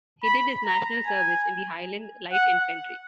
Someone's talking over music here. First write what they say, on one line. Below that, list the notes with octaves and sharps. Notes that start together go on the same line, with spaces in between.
He did his National Service in the Highland Light Infantry.
B5
A#5
G#5
F#5